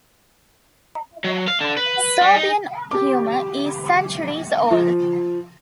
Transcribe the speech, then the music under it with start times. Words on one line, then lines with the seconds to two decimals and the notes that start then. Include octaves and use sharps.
Serbian humour is centuries old.
1.24 F#3
1.48 F5
1.61 D3
1.77 B4
2.21 G3
2.36 D#4
2.91 G4 D6
4.71 F3